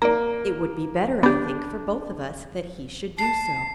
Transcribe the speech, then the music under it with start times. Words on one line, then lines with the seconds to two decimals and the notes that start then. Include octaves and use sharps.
"It would be better, I think, for both of us that he should do so."
0.02 A#3 D5 A#5
1.23 B3 D4 G4
3.19 A5 C7